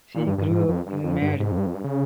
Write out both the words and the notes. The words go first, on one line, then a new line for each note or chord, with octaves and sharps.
She grew up in Made.
A#2
G2
G2
G#2
F2
G2
F2
G2
G#2
F2
G2
F2
G2
C#3